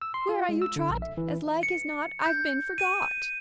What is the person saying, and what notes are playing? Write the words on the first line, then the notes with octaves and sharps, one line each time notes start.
"Where are you, Trot? As like as not I've been forgot!"
E6
C6
F4
G#3
E6
D3
A#1
E5
E3
C#7
G6
D#7